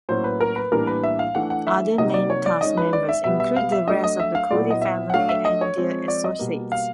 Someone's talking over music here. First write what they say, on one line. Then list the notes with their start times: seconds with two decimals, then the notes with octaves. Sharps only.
Other main cast members include the rest of the Cody family and their associates.
0.09 A2 F#3 A#3 C#4 E4 C5
0.24 B4
0.40 A#4
0.56 B4
0.72 A2 E3 G3 A#3 D4 A#4
0.87 B4
1.04 E5
1.19 F5
1.35 E3 A3 D4 F#5
1.50 F#5
1.67 E5
1.98 C3 D#3 F#3 A#3 D#5
2.14 D5
2.30 C#5
2.46 D5
2.61 D#3 G#3 C#4 D#5
2.77 B4
2.93 D5
3.09 E5
3.24 B2 G3 B3 E5
3.40 E5
3.56 F5
3.72 E5
3.87 F#3 A3 D4 D#5
4.04 D#5
4.20 E5
4.35 F5
4.51 A#2 F#3 B3 E4 D5
4.71 D#5
4.82 E5
5.10 F#5
5.14 F#3 A3 D4 F5
5.29 E5
5.45 D#5
5.61 C#5
5.77 F3 G#3 C4
6.08 D5
6.24 D#5
6.39 B2 G3 A#3
6.72 F5